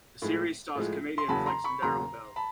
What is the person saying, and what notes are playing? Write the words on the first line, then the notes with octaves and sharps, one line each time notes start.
The series stars comedian Flex and Darryl Bell.
A2 F3 G#3
A2 F3 G#3
C6
E2 C#3 F#3 A#3 A5 B5
A#5 C6
B5 C#6
E2 C#3 F#3 A#3 A#5 C6
A5 B5